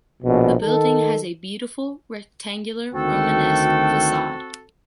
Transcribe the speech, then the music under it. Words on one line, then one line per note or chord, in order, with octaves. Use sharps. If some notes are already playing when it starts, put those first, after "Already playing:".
The building has a beautiful rectangular Romanesque facade.
A#1 B2
D#3 A4
D2 D#3 C4 F#4 A4 G5